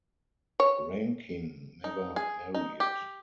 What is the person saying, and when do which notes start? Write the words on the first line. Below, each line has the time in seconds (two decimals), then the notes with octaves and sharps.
Rankin never married.
0.60 C#5
1.84 D#4
2.16 G#4
2.55 D#4
2.80 G4